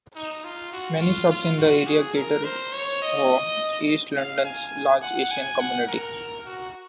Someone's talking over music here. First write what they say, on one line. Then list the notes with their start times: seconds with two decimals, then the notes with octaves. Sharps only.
Many shops in the area cater for east London's large Asian community.
0.15 D#4
0.44 F4
0.72 F#4
1.01 F4
1.30 F4
1.58 F#4
1.87 G#4
2.16 A#4
2.44 C5
2.72 C#5
3.02 D#5
4.16 F5
4.44 G#5
5.02 F#5
5.31 G#5
5.59 F#5
5.87 A#4
6.45 F#4